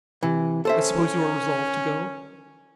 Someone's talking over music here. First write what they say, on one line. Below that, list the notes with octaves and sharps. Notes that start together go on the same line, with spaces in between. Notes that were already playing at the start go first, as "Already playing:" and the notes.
I suppose you are resolved to go?
C3 E3
C#4 A4 C5 E5